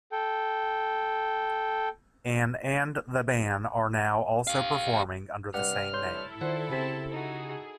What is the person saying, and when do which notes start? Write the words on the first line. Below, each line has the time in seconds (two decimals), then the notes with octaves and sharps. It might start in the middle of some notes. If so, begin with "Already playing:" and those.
An and the band are now also performing under the same name.
0.12 A4 G5
4.47 G4 F5
5.54 G2 C3 F#5 F6
5.93 E4 A4 C#5 C6 G6
6.41 D#3 F4 C5 D5 F#5
6.70 C#3 C4 G4 A5 B6
7.11 D#4 F#4 G#4